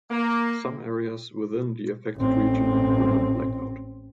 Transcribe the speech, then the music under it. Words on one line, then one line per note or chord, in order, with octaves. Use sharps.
Some areas within the affected region were not blacked out.
A#3
A1 C4